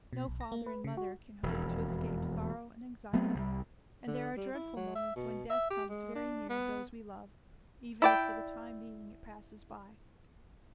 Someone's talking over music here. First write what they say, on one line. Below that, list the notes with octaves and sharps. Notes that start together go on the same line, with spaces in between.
No father and mother can hope to escape sorrow and anxiety, and there are dreadful moments when death comes very near those we love, even if for the time being it passes by.
B2
B1
A#6
A#3
B4
C#3
F#4
E1 F2
F#3 A3 B3 C4
C2 E3 G3
D3
G3
E4
F#3
E5
B2
E5
G4
G#3
D4
B3
E4 D5 G5